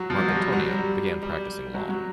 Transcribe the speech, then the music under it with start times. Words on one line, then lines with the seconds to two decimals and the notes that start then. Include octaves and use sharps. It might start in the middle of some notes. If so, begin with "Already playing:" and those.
Marcatonio began practicing law.
Already playing: F#3
0.10 F3
0.18 F#3
0.29 F#3
0.36 G3
0.52 F#3
0.71 G3
1.22 G3
1.74 F#3
1.89 F#3